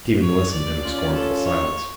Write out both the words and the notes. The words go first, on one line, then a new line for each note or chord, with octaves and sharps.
Stephen listened in scornful silence.
C#5
D5
C#4 F4
A4
C#5